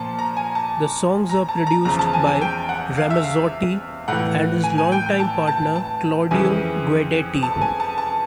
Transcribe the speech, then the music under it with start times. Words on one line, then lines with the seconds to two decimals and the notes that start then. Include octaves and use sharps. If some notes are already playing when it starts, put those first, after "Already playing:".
The songs are produced by Ramazzotti and his longtime partner Claudio Guidetti.
Already playing: A#2 F3 A5
0.19 A#5
0.37 G#5
0.55 A5
1.29 A#5
1.49 A5
1.67 A#5
1.85 E2 C#3 F3 A#5
1.99 A5
2.13 G#5
2.27 G#5
2.41 G5
2.69 F#5
2.97 F5
3.10 E5
3.23 F5
4.08 A2 E3 F#5
4.64 G#5
4.78 G#5
4.92 G5
5.06 G5
5.20 A5
5.47 A5
5.76 A5
6.31 F2 C#3 E3 G#5
7.43 A5
7.61 G#5
7.80 A5
7.98 A5